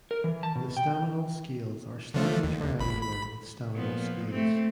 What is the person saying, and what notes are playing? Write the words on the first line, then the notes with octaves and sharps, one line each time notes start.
The staminal scales are slightly triangular with staminal scales.
A#4
E3
A5
B2
G5
D3 F3 A3
D#2
G#1 B5
B5
A#2 F3 B3
A3 C4